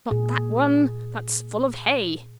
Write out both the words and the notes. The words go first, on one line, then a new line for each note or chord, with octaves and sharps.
Not that one--that's full of hay!'
A#2 G#4